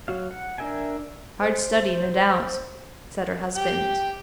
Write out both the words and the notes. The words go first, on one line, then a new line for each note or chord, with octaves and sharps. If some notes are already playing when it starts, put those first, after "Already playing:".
"Hard study, no doubt," said her husband.
F#3 F#4 F5
F#5
D4 A#4 E5 G5 G#5
C5
G4 G5